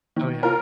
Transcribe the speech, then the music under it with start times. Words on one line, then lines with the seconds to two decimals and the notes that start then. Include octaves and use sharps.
Oh, yeah.
0.16 D#3
0.43 F4 A#4